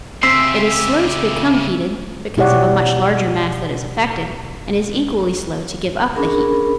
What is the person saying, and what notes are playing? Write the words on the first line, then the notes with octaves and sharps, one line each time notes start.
It is slow to become heated, because of a much larger mass that is affected, and is equally slow to give up the heat.
C#3 C4 G4 E5 C6
B2 E4 G4 C#5 D5 F#5
C#4 D4 G#4 A#4 B5